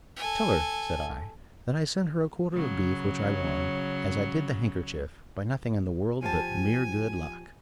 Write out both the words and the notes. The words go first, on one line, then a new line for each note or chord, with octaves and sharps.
"Tell her," said I, "that I send her a quarter of beef which I won, as I did the handkerchief, by nothing in the world but mere good luck."
A4 G#5
C#3 F#3
F3 G4 G#5 A5